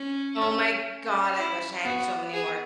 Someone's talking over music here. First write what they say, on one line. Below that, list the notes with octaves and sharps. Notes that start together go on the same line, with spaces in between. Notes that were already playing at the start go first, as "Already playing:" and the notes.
Oh my God, I wish I had so many more
Already playing: C#4
C#4
E4
B3 F#4
G#4